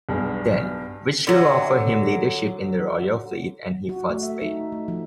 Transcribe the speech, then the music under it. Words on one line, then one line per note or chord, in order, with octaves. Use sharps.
Then, Richelieu offered him leadership in the royal fleet and he fought Spain.
B1 G2 G#4
D3 F#3
F#4
A3
E5
D#4
A3
F3